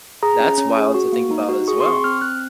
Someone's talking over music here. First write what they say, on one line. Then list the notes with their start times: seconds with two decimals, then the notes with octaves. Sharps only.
That's wild to think about as well.
0.23 G#4 A#5
0.40 C#4
0.58 C#4
0.77 G#4
0.94 F#4
1.13 A#3
1.31 D#4
1.49 F#4
1.68 G#4 C#6
1.80 C6
1.86 C4 C#6
2.04 C4 F6
2.22 C4 F#6